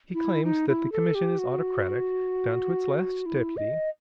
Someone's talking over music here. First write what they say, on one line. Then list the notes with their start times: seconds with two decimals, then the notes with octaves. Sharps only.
He claims that the commission is autocratic, down to its last deputy.
0.14 E4
0.44 D#4
0.68 E4
0.92 A4
1.15 G4
1.39 F#4
3.26 E4
3.57 D#5